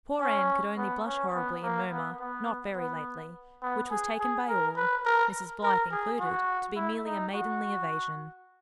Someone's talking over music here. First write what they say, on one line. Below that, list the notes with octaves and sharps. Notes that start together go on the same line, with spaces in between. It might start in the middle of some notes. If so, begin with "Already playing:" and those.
Poor Anne could only blush horribly and murmur, "not very lately," which was taken by all, Mrs. Blythe included, to be merely a maidenly evasion.
C#4
B3
C#4
B3
A#3
B3
B3
B3
B3
G#4
G#4
A#4
B4
A#4
A#4
G#4
F#4
E4
D#4
F#4